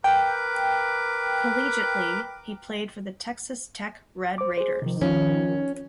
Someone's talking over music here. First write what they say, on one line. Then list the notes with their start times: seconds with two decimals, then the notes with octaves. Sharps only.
Collegiately, he played for the Texas Tech Red Raiders.
0.04 A#4 B4 G5 D6
4.38 C5 D6
4.58 G#4 C5
4.82 C3 D#3 F3
5.01 F3 C#4 F4